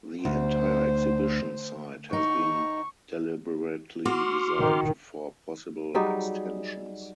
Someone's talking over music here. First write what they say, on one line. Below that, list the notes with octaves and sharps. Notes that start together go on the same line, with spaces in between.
The entire exhibition site has been deliberately designed for possible extensions.
D2 C5
D#4 C#6
F#4 C6 D6 F6
D#3
F#3 G3 D#4 G#4